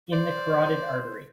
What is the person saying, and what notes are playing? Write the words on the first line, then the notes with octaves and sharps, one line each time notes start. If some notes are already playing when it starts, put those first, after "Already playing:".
In the carotid artery.
C5 D5